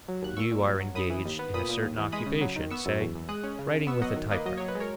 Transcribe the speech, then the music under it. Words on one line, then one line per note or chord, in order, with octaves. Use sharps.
You are engaged in a certain occupation, say writing with a typewriter.
F#3
D#2 F#6
A#2 C#6 E6
A#2
F#3
F#3
F#2 B5 D#6
E3
D#2
B3
A#2 B5 D#6
A#2
D#2
E3
G#3 B5 D#6
C#3
F#3
D#3
B3 C#6 E6
F#2
E2
E2
G#3 D#6 F#6
C#4
C#3
C#3
B3 C#6 E6
F#3 D#5 F#5
D#3
A#3 B4 D#5
F#3 D#5
F#3 C#5
B4
G#3
A#4 C#5